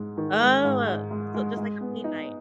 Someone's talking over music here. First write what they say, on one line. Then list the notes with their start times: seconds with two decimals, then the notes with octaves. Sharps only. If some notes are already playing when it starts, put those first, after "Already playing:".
Oh. So just, like, a paint night.
Already playing: G#2 G#3
0.17 D#3
0.41 G#3
0.64 G#2
0.87 G#2
1.11 G#3
1.34 G#3
1.57 G#3
1.81 B3
2.04 D#4